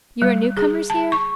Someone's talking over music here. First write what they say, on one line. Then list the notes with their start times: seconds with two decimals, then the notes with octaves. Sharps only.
You are new-comers here?
0.22 G3
0.57 G#4
0.90 A5
1.12 C#6